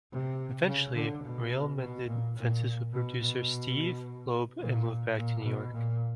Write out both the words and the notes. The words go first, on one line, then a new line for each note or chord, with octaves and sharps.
Eventually, Reale mended fences with producer Steve Loeb and moved back to New York.
C3
C#3
D3
B2
B2
A#2
A#2
B2
B2
A#2
A#2
B2
A#2